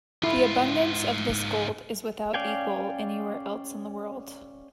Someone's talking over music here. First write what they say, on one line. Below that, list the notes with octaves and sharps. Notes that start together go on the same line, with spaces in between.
The abundance of this gold is without equal anywhere else in the world.
G#2 E4 F4
C#4 D5 F5 G5 G#5